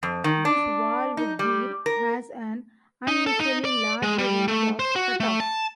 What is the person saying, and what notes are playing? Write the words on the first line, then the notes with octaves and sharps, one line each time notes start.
This valve gear has an unusually large range of cutoff.
F2
D#3
D4
D#4
G3
A#4
D#4
A4
D#4
D5
G#3
G3
A3
C5
F#4
A3
A5